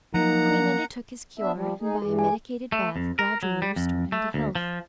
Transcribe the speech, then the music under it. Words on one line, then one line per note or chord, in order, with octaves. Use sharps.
The queen undertook his cure, and by a medicated bath gradually restored him to health.
F3 F#3 A#3 D#4 F#5 A#5
B3 D4 E5
F3 G3
D#4 G#4
G2 E3 G#4
G#5
A3
F2
A#4
F#3
G3
F2
A3
D2
F3